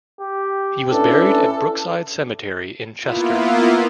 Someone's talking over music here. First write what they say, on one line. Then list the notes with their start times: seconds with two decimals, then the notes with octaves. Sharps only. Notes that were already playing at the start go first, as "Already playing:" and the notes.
He was buried at Brookside Cemetery in Chester.
0.20 G4
0.90 C#4 D4 E4 A4 B4
3.02 A#3 B3 E4 F4